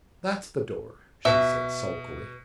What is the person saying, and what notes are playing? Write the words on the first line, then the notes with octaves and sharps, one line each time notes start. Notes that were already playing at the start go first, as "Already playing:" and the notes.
"That's the door," she said sulkily.
B2 E5